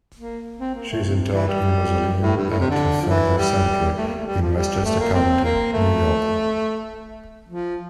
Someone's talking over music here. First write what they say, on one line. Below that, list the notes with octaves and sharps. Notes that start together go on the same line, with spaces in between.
She is interred in a mausoleum at Ferncliff Cemetery in Westchester County, New York.
A#3
C4
A#3
A3
C3
E3
G3
A2
G2
A2
C3
D3
F3
E3
G3
A3
A#3
A3
G3
F3
G3
A3
A#3
C4
A#3
A3
F3